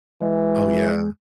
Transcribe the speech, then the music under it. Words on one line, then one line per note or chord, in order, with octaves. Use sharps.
Oh, yeah.
E3 G#3